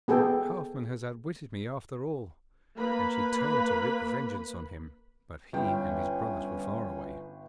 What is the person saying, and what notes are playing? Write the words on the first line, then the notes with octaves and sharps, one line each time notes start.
'Halfman has outwitted me after all!' And she turned to wreak vengeance on him, but he and his brothers were far away.
B3 G#4 A4 G5
A#3 B4 B5
G1 C#4 G5